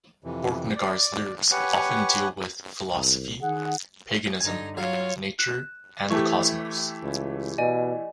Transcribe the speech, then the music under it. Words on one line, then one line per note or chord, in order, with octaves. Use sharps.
Borknagar's lyrics often deal with philosophy, paganism, nature, and the cosmos.
F2 C3 E3
D5
G4 B4 C#5 F#5 G#5 C#6
C2
D#3 G#4 F#5
G2 D3 D#4 G#5
F#3 F4 C#5 F5
F#6 E7
E3 A3 G4 C#6
C#2
B2 D5 D#5 G#5